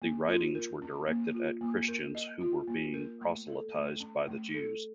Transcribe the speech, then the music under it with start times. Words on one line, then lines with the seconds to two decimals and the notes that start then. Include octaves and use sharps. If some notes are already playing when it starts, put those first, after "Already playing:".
The writings were directed at Christians who were being proselytized by Jews.
0.02 A#3
0.29 F4
0.55 A#4
0.82 C#4
1.08 A#3
1.34 F4
1.61 A#3
1.88 A#4
2.15 D#5
2.41 F4
2.67 A#3
2.94 A#4
3.21 A3
3.47 A4
3.74 A3
4.00 C#4
4.28 A3
4.54 A4